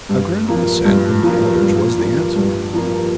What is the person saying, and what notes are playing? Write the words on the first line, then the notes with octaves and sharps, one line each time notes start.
A grunt of assent from the others was the answer.
G2
F3 A#3
G2
F3 A#3
G2
F3 A#3
G2
F3 A#3